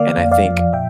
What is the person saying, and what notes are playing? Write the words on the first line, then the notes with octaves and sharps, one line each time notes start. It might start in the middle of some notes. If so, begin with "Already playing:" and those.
and I think
Already playing: D3 A#3 D5 F5
F2
D5 F5
F3
A#2 E5 G5